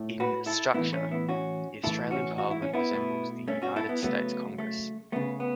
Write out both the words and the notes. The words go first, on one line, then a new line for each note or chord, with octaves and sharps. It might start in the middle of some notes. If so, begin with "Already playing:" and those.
In "structure", the Australian Parliament resembles the United States Congress.
Already playing: A2 A3
F#4 B4
E4 A4
A2 E3 A3 B3 E4
A3 C#4
B3 E4
C#4 F#4
A2 E3 A3 E4 A4
C#4 F#4
F#4
E4
C#4
B3 E4
B2 A3
A3 C#4
C#4 F#4
E4 A4
B3 E4
C#3 F#3 A3 B3
A3
C#3 A3 B3
B3